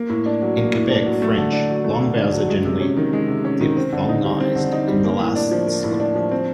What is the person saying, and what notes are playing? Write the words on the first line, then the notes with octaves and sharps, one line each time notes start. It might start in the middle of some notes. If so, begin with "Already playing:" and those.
In Quebec French, long vowels are generally diphthongized in the last syllable.
Already playing: A#3
A2
D4
F#3
A#3
A2
D4
F#3
A3
D3
D4
F#3
A3
D3
D4
F#3
G#3
C3
C#4
D#3
G#3
C3
C#4
D#3
C4
D3
D#4
G3
C4
D3
D#4
G3
A#3
A2
D4
F3
A#3
A2
D4
F3
C4